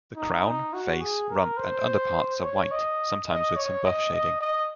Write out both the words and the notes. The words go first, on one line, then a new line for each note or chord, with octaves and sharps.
The crown, face, rump and underparts are white, sometimes with some buff shading.
D#4
D#4
F#4
G#4
A#4
C5
C#5
D#5
D#5
C#5
D#5
D#5
D#5